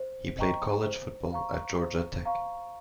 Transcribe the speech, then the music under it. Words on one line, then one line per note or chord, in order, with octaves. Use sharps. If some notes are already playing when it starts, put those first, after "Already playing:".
He played college football at Georgia Tech.
Already playing: C5
D#5 G5 A#5 C#6
C5
F5 A#5 C#6
C5
F5 A#5 C#6